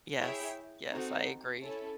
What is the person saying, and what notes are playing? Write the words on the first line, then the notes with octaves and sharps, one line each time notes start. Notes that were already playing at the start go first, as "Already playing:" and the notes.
Yes, yes, I agree,
E4 G#4 C#5 E5 G5
C4 D#4 F#4 A4
C#4 E4 A4